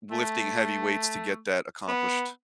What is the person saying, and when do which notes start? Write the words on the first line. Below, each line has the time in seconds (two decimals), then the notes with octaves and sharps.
lifting heavy weights to get that accomplished.
0.11 A3
1.88 B3